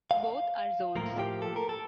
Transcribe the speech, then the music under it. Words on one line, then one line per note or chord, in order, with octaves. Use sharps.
Both are zones.
F5
A2 F3 A#3 A#4
G4
A4
A#4
A4